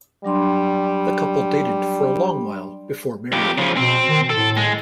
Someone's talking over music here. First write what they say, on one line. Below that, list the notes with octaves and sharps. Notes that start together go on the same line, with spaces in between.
The couple dated for a long while before marrying.
F#3 G3 D4 C6
F2 G4
C#3 F3
B2 C4
D#3
A2 A4
G#3